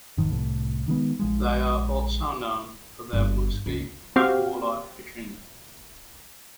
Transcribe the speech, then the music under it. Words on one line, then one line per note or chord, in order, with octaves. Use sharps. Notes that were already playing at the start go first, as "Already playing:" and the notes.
They are also known for their muskie and walleye fishing.
F1 G#2 D#3 F3
C2 A2
D#3 G#3 B3
A#1 F3 G#3
G1
C#2
C4 F#4 G4 F5